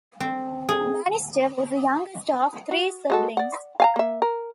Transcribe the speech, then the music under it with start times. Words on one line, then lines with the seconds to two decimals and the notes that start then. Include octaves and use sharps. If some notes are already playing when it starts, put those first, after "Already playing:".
Bannister was the youngest of three siblings.
0.20 C4
0.69 G#4
2.71 F#4
3.10 G#3 F#4 A4
3.37 D5 F#5
3.80 F5 G#5 A#5
3.96 A#3 E5
4.22 A#4